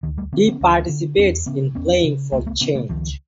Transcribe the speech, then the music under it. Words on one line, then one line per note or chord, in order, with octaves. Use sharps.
He participates in Playing for Change.
D2 D#3
G3 A3
D3 B3 C#4
B3 C#4
D2
D3
E2 C4 D4
C#3 B3 C#4
E2 B3 C#4
C#3
C#2 A3 B3
A3 B3
C#3 B3 C#4
A3 B3
C#2 D#3 F3